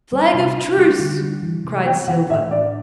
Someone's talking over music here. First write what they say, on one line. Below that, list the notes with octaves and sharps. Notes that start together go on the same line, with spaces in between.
"Flag of truce," cried Silver.
G3
C3
D4
G3
D3
G3
E3
C3
B3 G5
E3 F#5
A2 E5
D4 D5